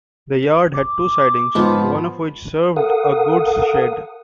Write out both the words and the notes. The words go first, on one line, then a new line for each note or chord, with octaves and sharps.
The yard had two sidings, one of which served a goods shed.
D6
G#2 F3 B3 F4
A4 A#4 F5 F#5 D#6